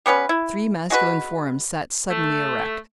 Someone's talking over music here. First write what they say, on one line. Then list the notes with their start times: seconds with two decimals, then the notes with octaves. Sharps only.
Three masculine forms sat suddenly erect.
0.06 G3 B3 C#4 B4
0.29 E4
0.90 G#3 F#4 B4
2.10 A3